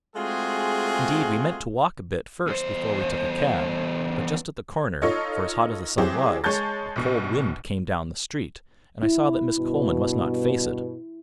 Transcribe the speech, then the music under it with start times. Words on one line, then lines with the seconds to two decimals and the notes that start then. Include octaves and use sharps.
Indeed we meant to walk a bit first before we took a cab, but just at the corner, for as hot as the sun was, a cold wind came down the street, and I saw that Miss Coleman must not face it.
0.16 G#3 A3 C4 F4 F#4 G#4
2.47 E2 C5
5.02 D#4 F4 A4 C#5 D#5
5.98 E3 F#3 C4 G4 G#4 C5
6.44 G#3 C#5 A5 G6 A6
6.96 A#1 B2
9.03 E4
9.57 G2 B2